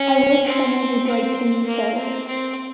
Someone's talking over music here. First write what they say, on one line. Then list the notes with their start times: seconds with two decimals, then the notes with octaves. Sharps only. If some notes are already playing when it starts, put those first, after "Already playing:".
I wish some one would write to me so!
Already playing: C#4
0.46 C4
1.07 C4
1.67 A#3
1.97 C4
2.27 C4